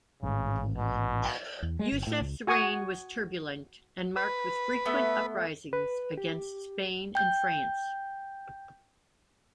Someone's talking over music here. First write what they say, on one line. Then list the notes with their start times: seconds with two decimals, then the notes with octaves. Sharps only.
Yusef's reign was turbulent and marked with frequent uprisings against Spain and France.
0.23 A1 G#2 C#3
0.77 B2
1.62 E2
1.79 G#3
1.92 G1
2.07 A2
2.21 C#2
2.47 F#4 G#5 C#6 D#6
4.16 B4
4.86 A3 B3
5.73 B4
6.17 G4
7.15 G5 G6